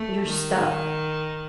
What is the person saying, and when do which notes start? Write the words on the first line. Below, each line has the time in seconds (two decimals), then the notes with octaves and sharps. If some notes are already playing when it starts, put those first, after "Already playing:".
you're stuck.
Already playing: A3
0.26 D#3